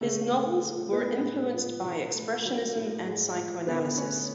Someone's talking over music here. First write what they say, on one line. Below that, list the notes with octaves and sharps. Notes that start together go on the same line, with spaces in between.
His novels were influenced by expressionism and psychoanalysis.
C#3 A3 A4
A3
F3
A2 B3 B4
G#3
F3
B2
A3
F#3
A2
G#3
F3
D3 B3 B4
A3 C#4 C#5